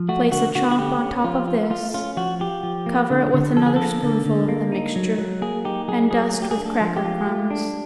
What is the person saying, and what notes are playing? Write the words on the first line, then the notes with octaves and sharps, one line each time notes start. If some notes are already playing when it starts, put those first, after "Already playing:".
Place a chop on top of this, cover it with another spoonful of the mixture and dust with cracker crumbs.
Already playing: F3
A3 F#4
D3 F#4
D3 F#4
F#4
A3 G4
C#4
F3 F4
F4
A3 F4
C#4 F4
F3 F#4
F4 G4
F3
A#3
D3
D3
F3 A4
G#4
A#3 A4
D3
D3
A#3
D#4
F#3
F#3
A#3 G#4
D#4 G4
F#3 G#4
F#3 G#4
A3 G#4
G4
G#4
D4
A4
F3
G4
F4
A3
D4